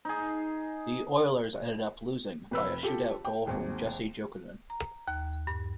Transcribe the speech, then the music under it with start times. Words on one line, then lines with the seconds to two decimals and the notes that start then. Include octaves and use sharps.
The Oilers ended up losing by a shootout goal from Jussi Jokinen.
0.05 D#4 G#4
2.51 F1 B4 E6
2.83 F4 G4 A4
3.25 G5
3.46 G#1 D#2 G#3
4.70 A#5
5.08 D#2
5.47 G2